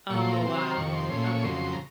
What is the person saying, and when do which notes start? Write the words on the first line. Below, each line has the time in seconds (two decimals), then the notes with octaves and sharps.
Oh, wow. Okay.
0.10 A#2 F3 A3 C#6
0.21 C6
0.32 A#5
0.43 C3 F#3 C4 C6
0.77 F2 C3 D#3 C#6
0.94 C6
1.10 A#2 A3 C#4 C6
1.26 C#6
1.43 F2 C#3 F#3 C6
1.72 A#5